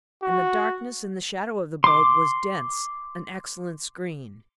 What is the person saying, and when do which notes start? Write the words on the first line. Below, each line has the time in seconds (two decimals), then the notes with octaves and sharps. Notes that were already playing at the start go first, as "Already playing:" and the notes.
And the darkness in the shadow of the boat was dense, an excellent screen.
0.22 F#4
1.84 C6 D6